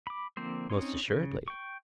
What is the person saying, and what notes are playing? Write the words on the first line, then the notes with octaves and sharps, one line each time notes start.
Most assuredly.
B5 D6
D3 F3 A#3 C4 C5
C4 C#4 D#4 C#5 C6
C#3
G5 C#6